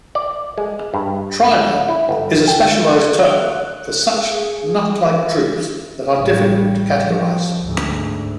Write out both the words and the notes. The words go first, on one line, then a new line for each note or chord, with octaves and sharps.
Tryma is a specialized term for such nut-like drupes that are difficult to categorize.
D5
G#3
G2
E4
G1
G5
F#6
G#4
E3
A1 G3
F3
D2 G#2